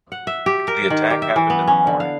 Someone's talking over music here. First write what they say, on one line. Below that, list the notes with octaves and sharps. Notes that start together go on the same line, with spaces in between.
The attack happened in the morning.
F#5
E5
G4
A#4
D#3
G4
E5
E3
B3
C#4
D3
F5